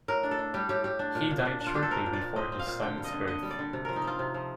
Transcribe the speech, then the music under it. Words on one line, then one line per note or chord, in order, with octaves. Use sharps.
He died shortly before his son's birth.
A2 A#4
D4
A4
D4
G3 G4
A2 G4
A2 G4
D4
A#2
A#2
D4
D4
F4
D4 G4
A4
C4 A#4
A#2
D5
A#2
C4 D#5
C4
F5
A#2
D3 G5
G3
D#5
D3
D3 D#5
G3
D5
D3
C3
F3 A#4
D#4
C4 F4
C3
F3